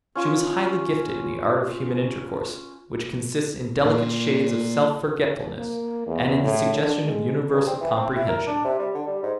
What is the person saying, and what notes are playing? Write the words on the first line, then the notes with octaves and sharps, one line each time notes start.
She was highly gifted in the art of human intercourse which consists in delicate shades of self-forgetfulness and in the suggestion of universal comprehension.
C#4 F4
A#2
A#3
E2
A2
D3
G#3
G2
C4
E3
C4
E4
A#4
D4
C3
G3
D3
G3
G#2